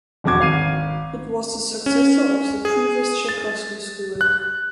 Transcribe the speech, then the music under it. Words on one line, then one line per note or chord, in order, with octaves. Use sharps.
It was the successor of the previous Tchaikovsky School.
E1 F2 D3 F#4 D6 G#6
G#1 F5 C7 D#7
C#4
G#4
A6
F#6